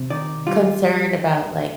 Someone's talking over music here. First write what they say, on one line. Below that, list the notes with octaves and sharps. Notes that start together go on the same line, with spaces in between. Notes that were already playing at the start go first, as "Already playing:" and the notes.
concerned about, like,
Already playing: C3
D#3 D5
G3 F4